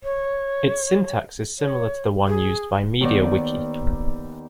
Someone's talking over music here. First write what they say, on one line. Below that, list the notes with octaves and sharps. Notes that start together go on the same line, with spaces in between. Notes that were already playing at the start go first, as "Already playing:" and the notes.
Its syntax is similar to the one used by MediaWiki.
C#5
C#5
G#4
D#2 D#3 B3 D5